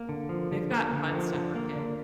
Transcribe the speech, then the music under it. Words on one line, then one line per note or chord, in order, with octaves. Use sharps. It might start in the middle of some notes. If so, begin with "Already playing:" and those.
They've got fun stuff for kid
Already playing: A#3
D3
F3
D3
A#3
D3
F3
D3
A#3
D3